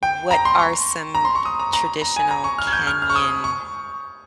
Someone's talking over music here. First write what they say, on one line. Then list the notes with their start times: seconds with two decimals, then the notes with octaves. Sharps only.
what are some traditional Kenyan
0.03 G5
0.31 A#5
0.45 C6
0.59 C#6
1.15 A#5
1.25 C6
1.35 C#6
1.45 D#6
1.60 A#5
1.73 A#5
2.02 A#5
2.16 G#5
2.31 A#5
2.44 C#6
2.58 F6
2.67 G#6
2.73 G6
2.87 F6
3.02 F6
3.10 C#6
3.16 D#6
3.44 C#6